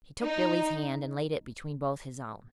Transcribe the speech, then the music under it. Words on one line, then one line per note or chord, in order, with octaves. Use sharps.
He took Billie's hand and laid it between both his own.
D#4